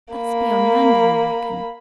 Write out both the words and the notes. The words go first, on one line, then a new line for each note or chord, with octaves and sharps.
'That's beyond London, I reckon?
A#3 B5